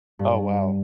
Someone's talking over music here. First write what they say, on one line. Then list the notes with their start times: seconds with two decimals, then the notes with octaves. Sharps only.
Oh, wow.
0.19 G2